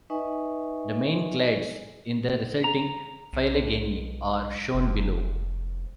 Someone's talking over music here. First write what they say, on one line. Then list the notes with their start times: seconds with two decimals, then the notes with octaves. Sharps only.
The main clades in the resulting phylogeny are shown below.
0.10 D#4 B4 D#5 E5 G#5 C#6
2.64 A#5
3.33 B1
4.74 F1